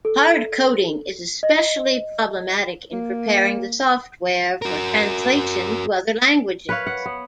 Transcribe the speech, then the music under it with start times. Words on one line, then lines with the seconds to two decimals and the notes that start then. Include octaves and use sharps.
Hard coding is especially problematic in preparing the software for translation to other languages.
0.05 A4
1.43 D#5
2.92 A#3
4.62 F#4 A#4
6.69 B4 C#5 F5
6.87 F#5
7.06 B3